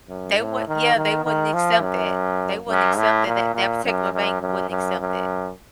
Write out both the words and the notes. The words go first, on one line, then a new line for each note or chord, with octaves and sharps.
They would yeah, they wouldn't accept that. They wouldn't accept that, that that particular bank wouldn't accept that.
F#2
A2
D#3
D#3
D#3
F3
F#2
F#2
A2
A#2
A#2
F#2
F#2
F#2
F#2
F#2